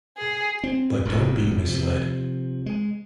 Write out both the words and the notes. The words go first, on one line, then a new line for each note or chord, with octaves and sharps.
But don't be misled.
G#4
C4
E1 A1 F#2 D3
C3 F3
G#3